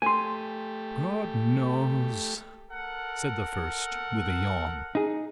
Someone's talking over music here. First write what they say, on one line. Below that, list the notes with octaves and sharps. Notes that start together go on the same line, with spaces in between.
"God knows," said the first, with a yawn.
A3 G4 G#5 C6
A4 A#4 F#5
D#4 G#4